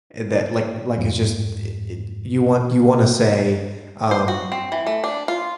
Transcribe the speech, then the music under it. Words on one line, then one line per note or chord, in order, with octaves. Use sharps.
eh, that like like it's just, eh, it you want you wanna say, um,
F2 G#2
C5
F#4
C4
E3
A3
D4
F4